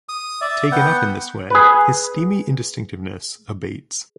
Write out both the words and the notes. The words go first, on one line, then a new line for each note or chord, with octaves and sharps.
Taken up in this way, his steamy indistinctness abates.
D#6
D5 E5
B3 F#5 G5
G#4 B4